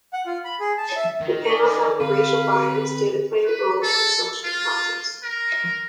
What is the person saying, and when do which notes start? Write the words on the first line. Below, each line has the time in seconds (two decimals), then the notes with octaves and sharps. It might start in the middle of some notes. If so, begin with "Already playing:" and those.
The panel found that racial bias did play a role in the selection process.
0.13 F#5
0.26 F4
0.45 B5
0.60 G#4
0.78 A5
0.96 E5
1.21 D#3
1.49 D5 G#5 D6 D#6
2.00 D3 C4 B4 F5
3.45 B4
3.83 A4
4.44 F4
5.23 A#4